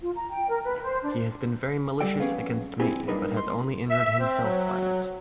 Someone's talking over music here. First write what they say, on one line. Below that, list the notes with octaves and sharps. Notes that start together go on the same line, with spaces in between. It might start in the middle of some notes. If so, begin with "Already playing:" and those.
He has been very malicious against me but has only injured himself by it.
F4
A#5
G5
A#4
B4
C5
D4
G3 G4 A4 D5 G5
F2 B3 C#4 G#4 B4 F5
C4 D4 E4 G4 G#4
G2 A#3 D4 D#4 A#4 B4
C6
E5
C4
F#3